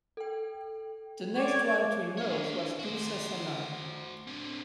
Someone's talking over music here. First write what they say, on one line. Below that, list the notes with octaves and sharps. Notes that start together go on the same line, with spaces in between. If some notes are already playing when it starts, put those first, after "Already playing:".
The next one to emerge was Dussasana.
A4 G5
C#5 D5 G#6
D4 C#5
F#4 C5
D3 C4